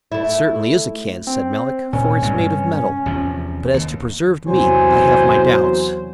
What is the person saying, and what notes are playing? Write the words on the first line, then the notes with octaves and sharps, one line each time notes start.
"It certainly is a can," said Melick, "for it's made of metal; but as to preserved meat, I have my doubts."
A3 E4
C4
A#2 C#4
G2 C3 G#3
E2 C3 F3
D#2
E2 C3 E3 F#3 C5 G#5